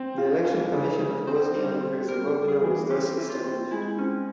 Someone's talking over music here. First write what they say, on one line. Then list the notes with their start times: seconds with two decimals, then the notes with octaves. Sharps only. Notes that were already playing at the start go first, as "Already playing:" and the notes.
The Election Commission of Bosnia and Herzegovina was thus established.
Already playing: C4 C5
0.18 F4
0.45 F4
0.73 C#3
0.99 C#3
1.27 C4 C5
1.54 G3
1.81 C4
2.08 G3 A#4
2.35 G3
2.48 G#4
2.62 E3
2.90 C4 G4
3.17 E4
3.30 F4
3.43 C4
3.71 G#3 E4
3.98 C4 C#4